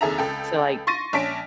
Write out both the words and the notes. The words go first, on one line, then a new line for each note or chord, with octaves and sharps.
So, like
F1 D#2 G#4 A4 E5 A#5
C#2 A4 G5
C6 C#6 A6 A#6 D#7
A#1 C#4 A5 B6 D7